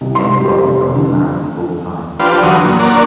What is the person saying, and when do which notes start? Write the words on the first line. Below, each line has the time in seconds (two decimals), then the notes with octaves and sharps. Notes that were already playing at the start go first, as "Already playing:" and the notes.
Ed Roth got married four times.
0.01 C2
0.15 C6
0.40 G4
0.65 F1
0.96 D3
2.20 F3 D4 G4 B4 C5 F5
2.42 E2 D3 F#3 F#4 D#6
2.65 A#2 F#3
2.79 A#2 D4 A#4 C#5 D5 F#5